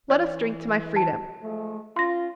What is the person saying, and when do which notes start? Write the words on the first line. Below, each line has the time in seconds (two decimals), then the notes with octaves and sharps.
Let us drink to my freedom.
0.10 E3 C#5 D5
0.96 A5
1.42 F3 G#3 A3
1.96 C#4 F4 C6 A#6